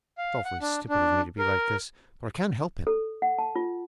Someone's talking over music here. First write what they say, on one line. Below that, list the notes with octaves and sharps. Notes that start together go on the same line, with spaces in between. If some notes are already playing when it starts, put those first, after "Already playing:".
It's awfully stupid of me to be like this, but I can't help it.
F5
F#5
D4
D4
A#4
A4
F#5
A5
F4